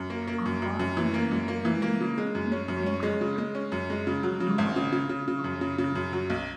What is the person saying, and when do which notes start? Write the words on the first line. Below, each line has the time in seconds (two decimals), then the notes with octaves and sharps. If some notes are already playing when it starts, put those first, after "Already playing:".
A park in central Nancy is named after Blondlot.
Already playing: F#2
0.10 A#3
0.27 A#3
0.46 F#2
0.62 F#2
0.79 F#2
0.97 E3
1.14 A#3
1.31 F#2
1.48 A#3
1.65 E3
1.82 A#3
2.00 C#3
2.18 G#3
2.35 F#2
2.52 C#4
2.68 F#2
2.86 C#4
3.03 G#3
3.21 C#3
3.38 G#3
3.55 C#4
3.72 F#2
3.90 G#3
4.07 C#3
4.23 F#3
4.40 C#3
4.58 G#1
4.76 C#3
4.92 C#3
5.09 C#3
5.28 C#3
5.44 F#2
5.61 C#3
5.78 C#3
5.95 F#2
6.13 F#3
6.30 B1